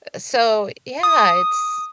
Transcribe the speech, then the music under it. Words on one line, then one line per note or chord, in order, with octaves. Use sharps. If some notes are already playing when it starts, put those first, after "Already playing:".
Uh, so, yeah, it's
D#6